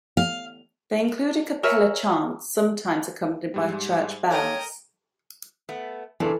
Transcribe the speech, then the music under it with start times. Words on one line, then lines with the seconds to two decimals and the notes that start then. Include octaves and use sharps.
They include a cappella chants, sometimes accompanied by church bells.
0.17 F5
1.63 A#4 C#5 E5 G#5
3.54 G#2 G3
4.30 A4 A#4 C#5 D#5 E5 G5
5.69 A3 B3
6.20 A#2 C#3 E3 D4 A4